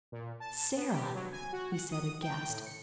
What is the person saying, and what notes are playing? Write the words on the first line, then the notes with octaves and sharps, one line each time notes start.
"Sara!" he said, aghast.
A#2
A5
B3
G4
F#3
G#5
F#4
F#5
D#6
G5
A2
C#7